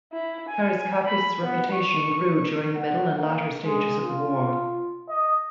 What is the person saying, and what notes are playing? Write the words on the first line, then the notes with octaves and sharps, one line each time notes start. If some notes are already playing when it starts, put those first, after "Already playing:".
Karaiskakis's reputation grew during the middle and latter stages of the war.
E4
G#5
B5
B3
C#6
F#5
A#3
G#3
F4
D#5